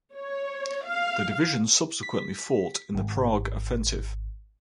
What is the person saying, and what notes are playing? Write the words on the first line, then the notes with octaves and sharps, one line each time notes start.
The division subsequently fought in the Prague Offensive.
C#5
F5
B6
G#1